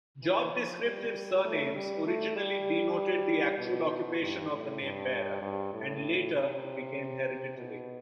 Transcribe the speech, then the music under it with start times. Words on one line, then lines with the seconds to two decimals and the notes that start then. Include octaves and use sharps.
Job-descriptive surnames originally denoted the actual occupation of the namebearer, and later became hereditary.
0.23 E3
0.53 F3
0.84 G3
1.45 A3
1.75 G3
2.07 A3
2.36 G3
3.58 B2
4.20 G2
4.51 A2
4.82 G2
5.42 G2
5.74 A2
6.35 C3
7.57 B2